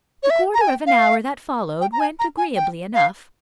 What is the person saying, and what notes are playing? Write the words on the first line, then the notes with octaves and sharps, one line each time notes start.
The quarter of an hour that followed went agreeably enough.
C#5
E5
A#5
G#5
G5
F5
G5
A#5
G#5
A#5
G#5
G5
F5